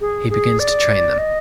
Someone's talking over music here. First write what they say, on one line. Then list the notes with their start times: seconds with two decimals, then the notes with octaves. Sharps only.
He begins to train them.
0.01 G#4
0.30 G#4
0.59 D5
1.18 D#5